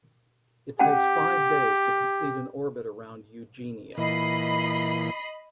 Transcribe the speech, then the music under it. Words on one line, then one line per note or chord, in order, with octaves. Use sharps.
It takes five days to complete an orbit around Eugenia.
C#4 G4 F#5 G5
A#2 E3 D#5 B5 C7